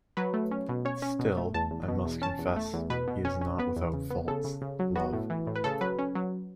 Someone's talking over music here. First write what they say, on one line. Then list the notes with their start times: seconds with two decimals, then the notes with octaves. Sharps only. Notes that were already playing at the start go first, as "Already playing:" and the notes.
Still, I must confess he is not without faults, love.
0.17 F#3 B4
0.33 A3
0.51 C#4
0.69 B2
0.85 C#4 C#5
1.02 C#4
1.19 B2
1.37 A3
1.54 E2 A5
1.71 E2
1.88 B2
2.05 E2
2.22 C#4 A5
2.39 E2
2.56 A3
2.73 E2
2.90 B2 B4
3.08 B2
3.25 C#4
3.41 C#4
3.59 B3 B4
3.76 E2
3.93 C#3
4.10 B3
4.28 C#3 A4
4.44 C#3
4.62 C#3
4.79 F#3
4.96 B3 F#4
5.13 A2
5.30 E3
5.47 A2
5.55 B4
5.64 C#3 A4
5.81 F#3 B4
5.99 C#4
6.15 F#3